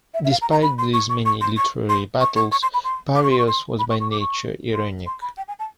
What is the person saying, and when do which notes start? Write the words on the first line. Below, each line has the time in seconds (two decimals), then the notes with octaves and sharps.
Despite these many literary battles, Pareus was by nature irenic.
0.14 E5
0.24 E5
0.31 F5
0.41 A#5
0.52 A#5
0.62 B5
0.78 C6
0.93 C#6
1.09 C#6
1.26 C#6
1.41 C6
1.57 C#6
1.89 C6
2.20 C#6
2.36 C#6
2.52 C#6
2.62 C6
2.74 B5
2.84 C6
3.15 D6
3.23 C#6
3.31 C6
3.38 C#6
3.48 C6
3.79 B5
3.90 C#6
4.00 C#6
4.11 D6
4.20 C#6
4.74 C6
5.07 C6
5.22 B5
5.37 G5
5.48 G#5
5.59 A5